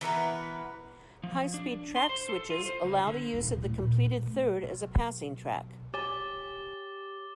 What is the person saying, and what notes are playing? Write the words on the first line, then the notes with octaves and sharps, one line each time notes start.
High-speed track switches allow the use of the completed third as a passing track.
E3 B3 A#4 B4
F3
D4
C6
C5
A4
F4
C5
C#2
D3
D#1 E4
C3
D#2 A2
A#2
B2
A3 B3
B1
G4 C#5 G#5 D6 A6 G7